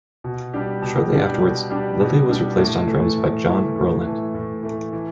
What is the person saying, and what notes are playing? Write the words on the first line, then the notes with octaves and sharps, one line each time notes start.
Shortly afterwards, Lilley was replaced on drums by John Rowland.
B2
G3 D4 G4
B2
G3 D4 G4
B2
G3 D4 G4
B2
G3 D4 G4
A2
E3 A3
A2
E3 A3
A2
E3 A3
A2
E3 A3
E3